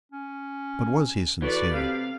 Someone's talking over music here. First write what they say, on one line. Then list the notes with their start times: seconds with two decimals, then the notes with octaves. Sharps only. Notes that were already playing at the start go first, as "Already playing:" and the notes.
But was he sincere?
0.12 C#4
1.42 E3 F#4 A4 B4 D5
1.75 C3 G4 F5